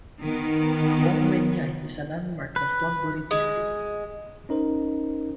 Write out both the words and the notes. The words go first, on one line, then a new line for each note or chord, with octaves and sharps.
Wong Wein Yai is a landmark of Thonburi District.
D#3 B3
B4
G#3
C#4 D#4 A#4 C5